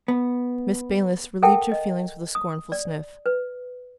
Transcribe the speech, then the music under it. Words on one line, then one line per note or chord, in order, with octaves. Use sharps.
Miss Baylis relieved her feelings with a scornful sniff.
B3
A4 A#4 E5 F#5 G5 A5
D#5
D#6
D5
B4